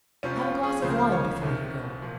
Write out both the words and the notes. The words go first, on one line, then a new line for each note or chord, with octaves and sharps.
"Have a glass of wine before you go."
F2 C3 F3 C#4
F4
G#4
C#2 C#3 F3 C5
A#4
C5
C#5
C2 C3 D#3
A#2 F3